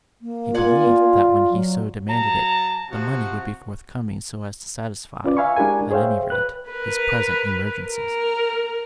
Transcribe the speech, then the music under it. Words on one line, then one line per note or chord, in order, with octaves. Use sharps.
He believed that when he so demanded it, the money would be forthcoming so as to satisfy, at any rate, his present emergencies.
A#3
F4 D5 F#5 G#5
F#3
F#3 A5 A#5
C3 F3 F#4
C#4 F4 B4 D5
E5 F5 G#5 B5 C#6
G#3 D4 E4 G4 A#4 G#5
G#4 C5 C#5 E5 F5 G5
B4 F#6
A#4 B4
A#4